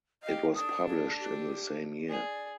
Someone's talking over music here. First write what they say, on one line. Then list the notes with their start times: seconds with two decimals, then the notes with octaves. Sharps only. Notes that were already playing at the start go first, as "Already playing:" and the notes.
It was published in the same year.
0.23 G4 D#5 F5
0.54 D4 A4 D#6
0.87 G#4
1.19 G4
2.09 G#4 D5